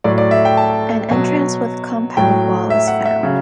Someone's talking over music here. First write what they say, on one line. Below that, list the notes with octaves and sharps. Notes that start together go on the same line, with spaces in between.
An entrance with compound wall is found.
A2 F#3 D5
D5
E5
G5
A5
B2 F#3
A2 F#3 G5
E5
F#5
E5
C#3 F#3